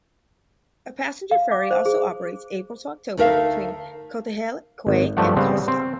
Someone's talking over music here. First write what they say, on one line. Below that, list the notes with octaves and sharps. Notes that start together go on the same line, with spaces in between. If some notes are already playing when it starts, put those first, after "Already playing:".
A passenger ferry also operates April to October between Cotehele Quay and Calstock.
F5
D6
C5
G#4
D2 A3 D#4 A#4 E5 F5
G#1
G2 F3 A3 G4 F#5
C#3 G3 B3 C4
C4